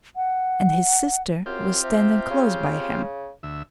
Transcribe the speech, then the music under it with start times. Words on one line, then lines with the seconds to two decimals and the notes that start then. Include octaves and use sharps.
And his sister was standing close by him.
0.16 F#5
1.46 F#2 C4 F4 G4
1.83 C3
2.30 C#3
3.43 D2 E5